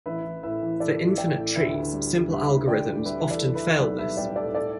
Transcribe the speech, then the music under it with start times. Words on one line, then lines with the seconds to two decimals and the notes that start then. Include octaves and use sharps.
For infinite trees, simple algorithms often fail this.
0.06 A1 B4 E5
0.24 E3
0.43 A2 B4 E5
0.62 E3
0.80 E3 A4 D5
0.99 A1
1.18 A1 D5 G5
1.37 A2
1.56 D2 B4 E5
1.74 D2
1.93 G3
2.12 D3
2.30 G3 B4 E5
2.49 G3
2.68 D2 D5 G5
2.87 D2
3.05 G3 B4 E5
3.24 E3
3.31 A4 D5
3.42 E3
3.55 B4 E5
3.62 E3
3.80 B1 A4 D5
3.98 G3 B4 E5
4.17 G3 D5 G5
4.36 A2 A4 D5
4.55 A4 D5